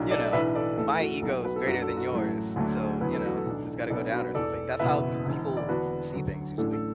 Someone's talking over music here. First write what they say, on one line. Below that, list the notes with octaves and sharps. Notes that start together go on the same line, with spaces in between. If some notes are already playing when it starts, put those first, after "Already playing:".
"You know, my ego is greater than yours, so, you know, it's gotta go down or something," that's how m people see things usually.
Already playing: B1 A2 F#3 D4
A4 D5
B1 A2 E3 D4 B4 E5
A4 D5
E2 E3 A3 A4
F#4
B1 B2 F#3 A4
F#4 B4
A4
F#2 F#3 D4 F#4
A4
F#4
A1 A2 F#3 A3
D2 D3 F#3 A3 D4
E2 D3 F#3 B3 B4
A4
F#4
A4
B1 A2 E3 D4
B1 B2 B3 D4 A4 D5
F#4 B4
E1 E2 E3 A4 D5
F#1 E2 B2 B4 E5
E1 E2 D3
D5
E2 D3 B3 D4 F#4 B4
D2 D3 F#3
A1 A2 A3 D4 A4
A4